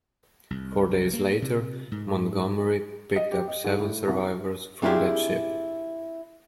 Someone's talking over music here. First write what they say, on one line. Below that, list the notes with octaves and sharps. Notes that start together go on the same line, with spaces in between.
Four days later, "Montgomery" picked up seven survivors from that ship.
C2
A#3
C3
G#2
D#5
G4
D#5
G#2
A2
C2
C4 D4 E4 F4 G4 G#4